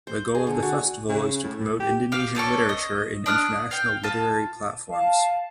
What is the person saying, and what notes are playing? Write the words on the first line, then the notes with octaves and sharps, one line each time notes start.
The goal of the festival is to promote Indonesian literature in international literary platforms.
C5
G#4
D3
F#4
C#3
A2
A2
G4
G4 F5
C#4 D4 A4 C#6
D#5
D4 D#6 F6 F#6
F5 G5
F4 A5
F5 A5